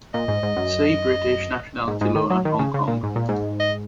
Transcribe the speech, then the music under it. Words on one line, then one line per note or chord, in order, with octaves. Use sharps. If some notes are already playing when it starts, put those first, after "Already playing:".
See British nationality law and Hong Kong.
A#2 D#5
G#2
G#2
F#2
G#2
G#2
D#3
F#3
D#3
C#3
C#3
A#2
G#2
A#2
G#2
D#5